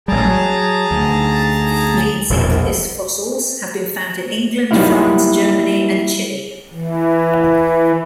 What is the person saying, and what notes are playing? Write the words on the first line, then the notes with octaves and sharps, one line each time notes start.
"Leedsichthys" fossils have been found in England, France, Germany and Chile.
A1 G3 G#4 A5 A#5
F#3
D2
E1 A#1 E2
F#3 G3 A#3 D#4 E4 F5
E3